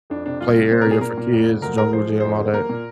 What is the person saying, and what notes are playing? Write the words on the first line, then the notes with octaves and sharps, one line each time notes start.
play area for kids, jungle gym, all that.
F2 D4
C3 D4
C2 F4
C3
A#2 C5
A#4
A#2 G#4
A#2 A#4
A#2
F2
D3
D2 A#4
G#3 A#4
F3 C5
G#3
F2 C5
D3
A#3 A#4
A#2